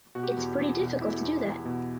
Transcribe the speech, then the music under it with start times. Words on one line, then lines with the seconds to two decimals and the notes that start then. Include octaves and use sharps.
It’s pretty difficult to do that.
0.15 B2 F#4
0.23 G4
0.31 F#4
0.37 E2
0.58 E2
0.80 B2
1.01 B2 E4
1.23 E2
1.44 E2
1.65 B2